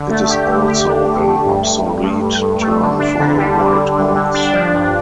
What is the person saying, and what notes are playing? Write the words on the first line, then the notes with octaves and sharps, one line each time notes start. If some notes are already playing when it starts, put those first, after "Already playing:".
It is also an obsolete term for a white horse.
Already playing: D3
A3
G4
D3
G4
D4
D3
A3
G2
G2
G2
G2
G2
G2
A3
D3
D4
D3
G3
D3
D3
D3
D3
D4
F3
G2